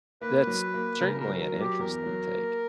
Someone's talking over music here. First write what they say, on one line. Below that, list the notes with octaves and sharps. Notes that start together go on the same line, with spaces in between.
That's, certainly an interesting take.
A#3 B4
F#3
A#3
C#3 A#4
A#4
F#3
A#4
F#3
G4
E2 A#4
F#3
A#3